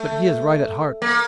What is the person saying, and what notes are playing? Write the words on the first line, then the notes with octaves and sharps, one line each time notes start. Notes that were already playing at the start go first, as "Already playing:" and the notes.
But he is right at heart.
Already playing: A3
A#3